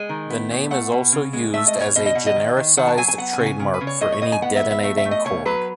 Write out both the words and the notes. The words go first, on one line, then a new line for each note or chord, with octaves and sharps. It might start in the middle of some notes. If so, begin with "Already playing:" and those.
The name is also used as a genericized trademark for any detonating cord.
Already playing: G#3 G#5
D#3
B3
A2
A3 F#5
B2
C#3
G#3
A3 E5
D#5
B2
C#5
B2 D#5
D#5
B2 F#5
D#5
D#3
D#3
D#3 F#5
A5
F#3 G#5
G#5
B3 F#5
G#5
C#3
G#5
C#3
B4
C#3
C#5
A2 D#5
C#5
A2 D#5
G#5
B3 F#5
E5
B3
E5
A3 E5
E5
A3
D#5
B2 C#5
F#3 B4